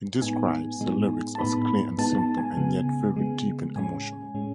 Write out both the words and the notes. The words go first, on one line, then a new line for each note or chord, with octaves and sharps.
He describes the lyrics as clear and simple and yet very deep and emotional.
A2 G#3 B3 D#4 G#5
A2 G#3 B3 D#4
A5
A2 G#3 B3 D#4 B5
A2 G#3 B3 D#4 A5
A5
G#5
C#3 G#3 B3
C#3 G#3 B3
A2 G#3 C#4 G#5
A2 G#3 C#4